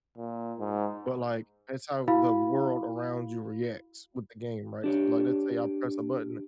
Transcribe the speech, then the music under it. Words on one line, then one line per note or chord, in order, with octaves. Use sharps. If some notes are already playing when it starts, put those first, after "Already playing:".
but, like, that's how the world around you reacts with the game, right? So, like, let's say I press a button
A#2
G#2
E4 F#4 F5 B5
D4 G4 C#5